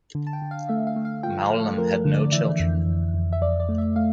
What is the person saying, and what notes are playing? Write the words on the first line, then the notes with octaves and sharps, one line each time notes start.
Mowlam had no children.
D3
A5
G5
D3
F5
A3 E5
F5
A3
F5
F3 G5
F5
A3
A4
F3 A#4
D3
D5
E3 E5
F2
F2
F2
E5
F2 D5
D5
A3
E5
A3 F5